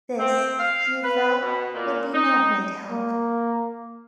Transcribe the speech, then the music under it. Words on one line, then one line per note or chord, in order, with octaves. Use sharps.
This, Drew felt, would be no great help.
C4
F5
B4
B2
A#2
D#4
A#3